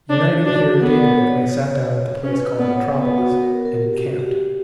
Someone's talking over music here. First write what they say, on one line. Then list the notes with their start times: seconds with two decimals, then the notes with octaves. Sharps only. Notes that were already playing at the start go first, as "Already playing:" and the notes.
Uniting here at daybreak, they sat down at the place called Metropolis, and encamped.
0.09 D4 C#5
0.45 D4 F#4
0.80 B3 A#4
1.17 C#5
1.28 D5
1.51 C#5
2.22 C#4 B4
2.41 B4
2.58 B3 D5
2.76 C#5
2.94 B3 B4
3.18 F#4
3.42 A#4
3.65 A#4
3.83 G4
4.01 F#4
4.19 G4